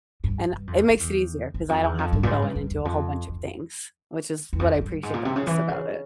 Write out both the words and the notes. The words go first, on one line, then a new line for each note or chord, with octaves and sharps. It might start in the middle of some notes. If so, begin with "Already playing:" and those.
and it makes it easier 'cause I don't have to go in and do a whole bunch of things, which is what I appreciate the most about it.
G2
G2
F2
E2
F2
E2
E2
F2
E2
F2
G2
A#2
G#2
G2
G2
E2
F2
F2
E2
F2
F2
G2
G#2
A#2
C3
C#3
E3
C#3